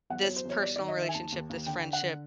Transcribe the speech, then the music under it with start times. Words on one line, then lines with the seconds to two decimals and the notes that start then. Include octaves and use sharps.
this personal relationship, this friendship,
0.10 E2 F#5
0.23 F#3 C#5
0.36 C5
0.45 E2 C#5
0.62 G3 D5
0.76 D#3 D5
0.88 D#5
0.97 D#3 E5
1.09 G#5
1.14 D#2 A5
1.32 D#2
1.50 D#2
1.66 D3 G5
1.84 D3
1.93 F#5
2.02 D3